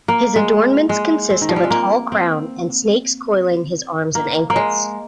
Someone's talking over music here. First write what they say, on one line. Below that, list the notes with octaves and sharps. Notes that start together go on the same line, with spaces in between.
His adornments consist of a tall crown and snakes coiling his arms and ankles.
A#3
G#3
G#3
C4
D#3
F3
G3
G#3
A#3
C4
A#3
A#3
G#3